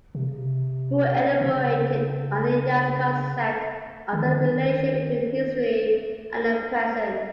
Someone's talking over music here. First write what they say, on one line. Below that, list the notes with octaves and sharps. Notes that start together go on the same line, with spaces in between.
Wu elaborated on the Yan's concept of the relation between history and the present.
C3
C#3
C3
C3
C#3
D#3
D3
D#3